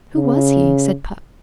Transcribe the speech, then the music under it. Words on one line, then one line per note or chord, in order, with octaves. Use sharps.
'Who was he?' said Puck.
C#3